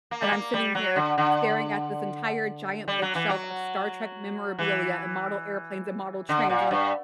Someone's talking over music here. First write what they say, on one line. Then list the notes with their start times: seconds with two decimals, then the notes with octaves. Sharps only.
and I'm sitting here staring at this entire giant bookshelf of Star Trek memorabilia and model airplanes and model trains like,
0.11 A#3
0.22 G3
0.32 A#3
0.54 G3
0.75 F#3
0.96 D3
1.18 D3
2.88 G3
3.02 F#3
3.15 E3
3.29 F#3
4.59 E3
6.29 D3
6.49 A#2
6.71 G2